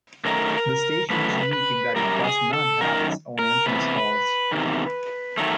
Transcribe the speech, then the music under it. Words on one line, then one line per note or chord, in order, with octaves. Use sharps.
The station is unique in that it does not have its own entrance halls.
F#2 D#3 F#3 A3 A#4
F#2 D#3 F#3 A3 B4
B4
F#2 D#3 G3 A#4
G#4
A4
F#2 D#3 A#4
A#4
E2 C3 B4
E2 C3 D#3
D#3 F#3 A3